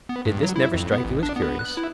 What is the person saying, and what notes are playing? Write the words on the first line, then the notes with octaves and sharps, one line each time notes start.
Did this never strike you as curious?
B3
G2
F#3
E4
F2
B3
A1
D4
B3
F#6
E4